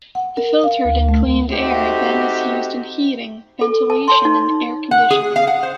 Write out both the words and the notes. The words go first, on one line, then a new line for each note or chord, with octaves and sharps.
The filtered and cleaned air then is used in heating, ventilation and air conditioning.
F#5
A#4
F5
D2
A3
A3 C4 D#4 F#4 G4
A4
A5
C#5 A5 C6
D#4
F#5
G#4
F5
F#5
C5